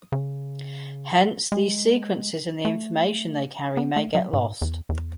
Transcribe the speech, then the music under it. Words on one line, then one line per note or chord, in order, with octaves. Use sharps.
Hence, these sequences and the information they carry may get lost.
C#3
G#3
A3
B3
A3
F#3
G#2
E2
E2